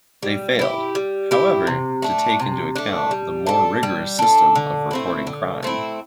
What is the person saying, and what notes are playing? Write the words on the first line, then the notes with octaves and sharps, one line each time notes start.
They failed, however, to take into account the more rigorous system for recording crime.
G3
E4 G4
G3
E4 G4
C3
A3 D4
C3
A3 D4
G3
D4 A4
G3
D4 A4
D3
A3 C4 E4
D3
A3 C4 E4